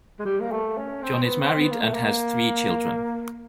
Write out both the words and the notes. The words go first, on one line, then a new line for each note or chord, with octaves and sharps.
John is married and has three children.
G#3
G3
A#3
A3
C#4
C4
B3
C4
B3
A#3
A3
A#3